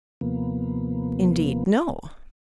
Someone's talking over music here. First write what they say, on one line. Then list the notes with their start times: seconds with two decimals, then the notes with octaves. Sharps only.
"Indeed no."
0.21 D#2 C3 F3 A#3 B3